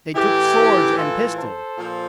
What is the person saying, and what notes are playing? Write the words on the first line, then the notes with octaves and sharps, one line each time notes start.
They took swords and pistols.
A2 E3 E4 G4
F4 A4
A4 C5
A#2 F3